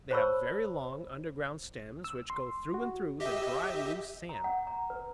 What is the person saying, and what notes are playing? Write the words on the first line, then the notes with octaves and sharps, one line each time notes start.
They have very long underground stems, which go through and through the dry, loose sand.
C5 C#5 A5 B5 C#6 E6
E6
C6
F#4
G4 D#5 E5
A#5
F#5
A#5
B4